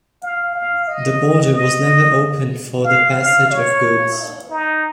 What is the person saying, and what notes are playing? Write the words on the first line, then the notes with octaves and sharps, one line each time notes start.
The border was never opened for the passage of goods.
F5
F5
D#5
D#5
F5
F5
C#5
D#4